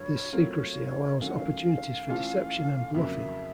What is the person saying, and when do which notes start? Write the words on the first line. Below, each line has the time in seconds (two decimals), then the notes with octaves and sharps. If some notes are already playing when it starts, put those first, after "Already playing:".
This secrecy allows opportunities for deception and bluffing.
Already playing: G2 D3 F#3 C#5
0.33 F#3 A3 C4 F4 A#4
1.20 D#3 F#3 A3 C#4 F5
1.28 F#5
1.36 F5
2.08 E3 A3 C#4 F4 A4
2.95 F2 C#3 F#3 A#3 E5